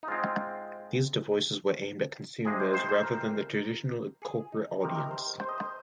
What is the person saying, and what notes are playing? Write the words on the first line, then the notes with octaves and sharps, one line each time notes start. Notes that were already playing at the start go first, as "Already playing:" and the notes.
These devices were aimed at consumers, rather than the traditional corporate audience.
D#4
G#2 G#3 C4 F4
F2 C3 G#3 G#4
C5
C5
C5
A#4
G#4
D#4
C3 D#3 C4 A#4
A#4
C5
C5
D#5
C5